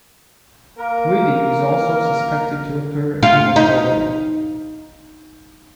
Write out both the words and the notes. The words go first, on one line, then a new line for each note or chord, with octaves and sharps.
Breeding is also suspected to occur in Mongolia.
A#3 A#4
F4
D#4